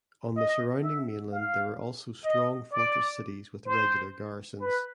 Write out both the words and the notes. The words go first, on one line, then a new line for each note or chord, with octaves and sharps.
On the surrounding mainland there were also strong fortress cities with regular garrisons.
D#5
E5
F5
D#5
D5
C5
B4